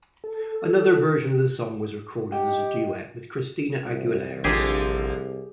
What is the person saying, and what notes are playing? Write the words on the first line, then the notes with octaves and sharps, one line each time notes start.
Another version of the song was recorded as a duet with Christina Aguilera.
A4
G4 D#5 F#5 G5
C2
A1 D3 F3 A#3 G4 G#4